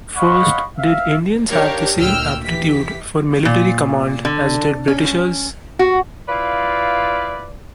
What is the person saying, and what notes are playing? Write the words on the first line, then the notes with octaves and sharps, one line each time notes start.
First, did Indians have the same aptitude for military command as did Britishers?
C#5 D#5 F5 F#5 B5 C#6
E5 F5
D4 G4 A#4 C#5 F5
D2 A#2 G5 E6 F6
E3 G4 B6
A#2
D3
C#4
F#4
E4 F4 B4 D5 F5